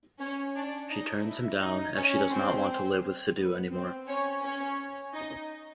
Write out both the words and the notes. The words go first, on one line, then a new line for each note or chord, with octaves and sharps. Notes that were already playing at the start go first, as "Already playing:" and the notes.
She turns him down as she does not want to live with Siddhu anymore.
C#4 C#5
D4 D5
D#4 D#5
E4 E5
D#4 D#5
C#4 C#5
C4 C5
B3 B4
C4 C5
C#4 C#5
C#4 C#5
D#4 D#5